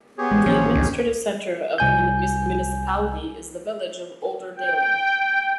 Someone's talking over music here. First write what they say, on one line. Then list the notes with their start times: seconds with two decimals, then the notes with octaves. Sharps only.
The administrative centre of the municipality is the village of Olderdalen.
0.18 B3 G4 G#4 C#5
0.31 A1 G#3
0.46 A1 D#3 F3 A#3 C#4
0.75 C#2
1.78 C2 G#5 G6
4.55 G5